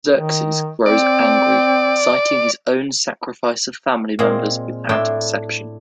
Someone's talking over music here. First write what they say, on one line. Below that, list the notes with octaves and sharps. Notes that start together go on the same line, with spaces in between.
Xerxes grows angry, citing his own sacrifice of family members without exception.
D#3
C4 D5
A#2 G#3 C4 G#4 F5
A2 D4 E4 G5 A5 C6